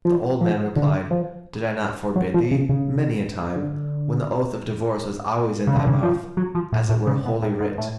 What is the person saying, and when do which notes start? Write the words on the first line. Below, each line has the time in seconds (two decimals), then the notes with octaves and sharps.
The old man replied, "Did I not forbid thee, many a time, when the oath of divorce was always in thy mouth, as it were Holy Writ?"
0.05 F3
0.41 F3
0.76 D3
1.11 F3
2.16 F#3
2.34 F3
2.51 C#3
2.69 C#3
3.56 D3
5.67 C#3
5.77 D3
5.87 C#3
6.03 F3
6.37 F#3
6.55 F3
6.72 A2
6.89 A2
7.07 C#3
7.25 B2
7.42 A2
7.61 G#2
7.78 A2